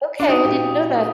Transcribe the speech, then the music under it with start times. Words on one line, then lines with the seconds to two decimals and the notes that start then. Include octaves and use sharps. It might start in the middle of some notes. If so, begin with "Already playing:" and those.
Okay, I didn't know that.
0.20 D4
0.29 F#3 D#4
0.45 A#2 G4